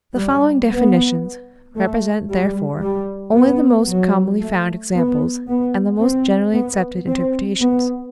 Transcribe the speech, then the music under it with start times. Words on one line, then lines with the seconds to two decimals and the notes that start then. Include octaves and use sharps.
The following definitions represent therefore only the most commonly found examples and the most generally accepted interpretations.
0.17 G3
0.69 B3
1.76 A3
2.29 G3
2.82 G3
3.35 B3
3.88 F#3
4.41 A3
4.95 B3
5.47 B3
6.00 C4
6.53 B3
7.07 C4
7.60 B3